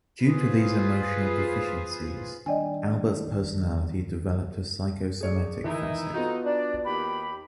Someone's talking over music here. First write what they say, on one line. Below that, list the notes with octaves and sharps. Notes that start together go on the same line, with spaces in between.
Due to these emotional deficiencies, Albert’s personality developed a psychosomatic facet.
F4 G#4 B4 C5
D#3 G3 A#3 D4 D5 D#5 G5 G#5
G#4 C#5 D5
D#3 E3 D#4 E4
B3 D#4 F4 F#4 A4
D4 D5
D#2 G4 B5